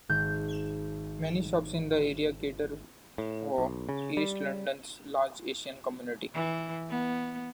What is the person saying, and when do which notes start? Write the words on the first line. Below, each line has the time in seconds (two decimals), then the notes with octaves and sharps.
Many shops in the area cater for east London's large Asian community.
0.09 G#1 G6
3.18 A2
3.58 B1
3.89 C#3
4.17 G3
6.34 E3
6.90 B3